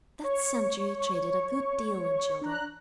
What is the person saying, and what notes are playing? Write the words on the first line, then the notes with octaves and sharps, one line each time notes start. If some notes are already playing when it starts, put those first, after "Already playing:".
That century traded a good deal in children.
C#5 C#6
D4 A#5 F#6